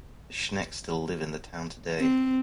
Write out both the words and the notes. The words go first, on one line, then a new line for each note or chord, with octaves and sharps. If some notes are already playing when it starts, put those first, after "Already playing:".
The Schnecks still live in the town today.
C4